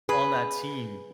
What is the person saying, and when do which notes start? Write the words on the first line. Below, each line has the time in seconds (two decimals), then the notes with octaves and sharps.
on that team
0.09 G#4 B4